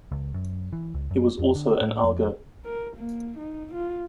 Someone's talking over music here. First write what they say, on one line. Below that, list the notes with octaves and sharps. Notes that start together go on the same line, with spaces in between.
He was also an augur.
C#2
F#2
E3
C#2
F#2
F2
D3
A2
F2
A#4
A#3
D#4
F4